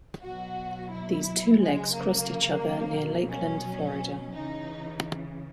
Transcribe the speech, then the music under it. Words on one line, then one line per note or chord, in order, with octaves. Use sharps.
These two legs crossed each other near Lakeland, Florida.
B2 F#3 F#4
E4
C#3 F#3 G#3
A#3
B2 F#3
C#4
C#3 E3 D#4